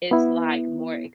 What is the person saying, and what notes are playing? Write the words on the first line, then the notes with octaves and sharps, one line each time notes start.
it's like more
B3 E4